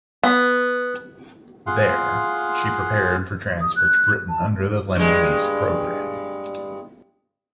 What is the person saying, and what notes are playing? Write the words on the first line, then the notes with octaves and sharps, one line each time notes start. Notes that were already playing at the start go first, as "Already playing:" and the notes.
There, she prepared for transfer to Britain under the Lend-Lease program.
B3
F4 G#4 F5 F#5 C6
D#6
F#6
A5
G2 G#3